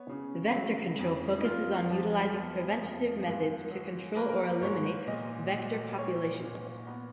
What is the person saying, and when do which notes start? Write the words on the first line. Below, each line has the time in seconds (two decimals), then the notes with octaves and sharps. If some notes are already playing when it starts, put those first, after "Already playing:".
Vector control focuses on utilizing preventative methods to control or eliminate vector populations.
Already playing: B3 C#5
0.09 C#3
0.55 F#3
0.99 F2
1.38 D#4
1.44 F2 F4
1.90 F3
2.35 B3
2.80 F2
3.25 G#2 G#4
3.70 F#3
4.16 A#3 B4
4.29 A#4
4.43 B4
4.61 G#2 C#5
5.07 A#2 D#5
5.52 F#3
5.97 A#3 C#5
6.42 A#2
6.87 B3